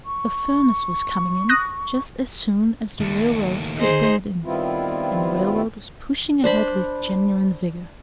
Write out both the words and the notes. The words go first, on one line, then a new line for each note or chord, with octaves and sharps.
A furnace was coming in just as soon as the railroad could bring it in, and the railroad was pushing ahead with genuine vigor.
C#6
D#6 F#6 A#6
D#2 A3
D#4 G#4 C5
D#3 G3 B3 C4 E4 F4
D4 C5 B5